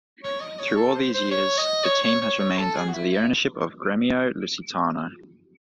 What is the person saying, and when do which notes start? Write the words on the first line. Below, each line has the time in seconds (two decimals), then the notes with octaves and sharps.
Through all these years, the team has remained under the ownership of Gremio Lusitano.
0.23 C#5
0.40 D#5
0.59 C#5
0.76 A4
0.94 C5
1.13 C5
1.31 C#5
1.58 D#5
1.84 C#5
2.03 C#5
2.21 C#5
2.39 C#5
2.58 A4
2.76 G#4
2.88 F#4
2.93 E4
3.11 E4